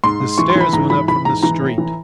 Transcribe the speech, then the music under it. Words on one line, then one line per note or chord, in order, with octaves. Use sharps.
The stairs went up from the street.
G#2 C6
G#2
E3 C#6
C6
E3 B5
G#2 A#5
E3 B5
E3 B5
G#2 A#5
E3 A#5
A2
E3